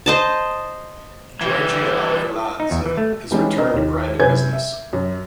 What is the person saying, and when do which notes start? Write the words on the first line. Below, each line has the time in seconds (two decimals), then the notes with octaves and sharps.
Giorgi Arveladze has returned to private business.
0.06 C5 D#5 A5
1.41 E3 G3
2.60 D#4
2.71 E2
2.86 E3
2.97 A3
3.31 E3 G3 G#3 C#4 D#4
3.56 C4 D4 A#4 D#5
3.73 D#2 D#3
4.19 F#2 C3 B4 G#5 G6 G#6
4.53 E5
4.93 F#2